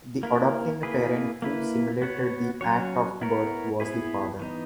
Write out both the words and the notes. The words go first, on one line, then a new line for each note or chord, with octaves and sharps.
The adopting parent who simulated the act of birth was the father.
A#3 E4 A#4
A#3 E4 G#4 B4
A#3 E4 B4
B3 F#4 C#5
F#3 C#4 F#4 C#5
B3 E4 A#4 C#5
B3 E4 G#4 B4
E3 B3 D#4